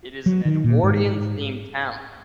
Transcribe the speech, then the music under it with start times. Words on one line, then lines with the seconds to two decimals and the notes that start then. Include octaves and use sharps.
It is an Edwardian themed town.
0.26 F#3
0.45 D#3
0.64 A#2
0.83 G#2